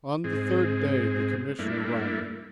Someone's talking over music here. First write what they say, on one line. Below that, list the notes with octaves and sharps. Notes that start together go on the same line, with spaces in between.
On the third day the commission arrived.
G#2 C4 G#4
G2 A3 A#3 D4 E4